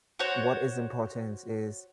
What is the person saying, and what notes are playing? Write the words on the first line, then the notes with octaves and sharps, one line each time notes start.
what is important is
F#4 C5 C#5